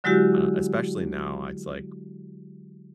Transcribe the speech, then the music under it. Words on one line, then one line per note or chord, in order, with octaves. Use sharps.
I don't Especially now, it's like,
D3 F#3 G#3 E4 F#4 G4